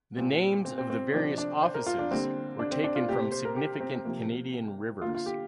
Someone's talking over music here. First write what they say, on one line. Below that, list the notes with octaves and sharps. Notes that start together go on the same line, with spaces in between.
The names of the various offices were taken from significant Canadian rivers.
A#2 G3 C4
C4
C4
C4
C3 F3 C4 D4
D4
C5
A#4
F4
D4
D3 G3 A#3 C4
D4
C4
D4
F4
C3 A#3 G4
C5
C5
A#4
G4
C4
C3 F3 A#3
D3 A#3 F4
F4
G4